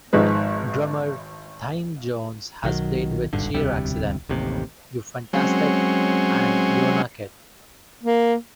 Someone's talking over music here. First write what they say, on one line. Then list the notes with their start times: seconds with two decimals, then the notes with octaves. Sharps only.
Drummer Thymme Jones has played with Cheer-Accident, You Fantastic!, and Yona-Kit.
0.13 G#1 G#2 F3 G#3 B4
2.64 B1 D#3 F#3
3.33 D#1 G#1 G2 D3
3.54 E1 D2 C3 G3
4.29 A1 D#2 C3
5.33 F#3 G#3 C4 C#4
8.04 A#3